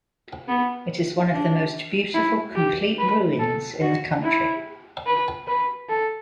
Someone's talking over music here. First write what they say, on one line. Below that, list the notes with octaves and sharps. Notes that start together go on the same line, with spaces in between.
It is one of the most beautiful complete ruins in the country.
B3
D4
E4
G4
B4
A4
F#4
E4
B4
B4
A4